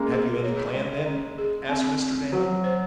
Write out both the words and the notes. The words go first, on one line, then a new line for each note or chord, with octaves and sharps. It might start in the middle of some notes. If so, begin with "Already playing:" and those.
"Have you any plan, then?" asked Mr. Damon.
Already playing: G#3 A#3 C#4
G#4
C#5
G#3
C#4
G#4
C4
C4
F#3 F#4
C5